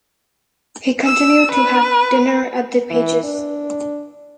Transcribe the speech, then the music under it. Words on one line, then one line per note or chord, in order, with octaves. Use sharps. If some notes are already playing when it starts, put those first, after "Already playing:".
He continued to have dinner at the Pages'.
E6
B4
E3
D4